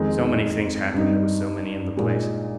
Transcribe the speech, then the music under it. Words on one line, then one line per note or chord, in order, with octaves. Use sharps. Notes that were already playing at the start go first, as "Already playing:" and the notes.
So many things happened--there were so many in the place.
Already playing: F2 D#3 G#3 C4 D#4
G2 G3 C4 D#4
A#2 G#3 D#4